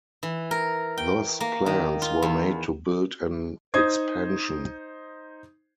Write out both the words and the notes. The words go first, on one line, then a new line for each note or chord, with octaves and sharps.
Thus plans were made to build an expansion.
E3
A#4
G5
A#3
D#3
F4
E2
D#4 C5 D#6 G#6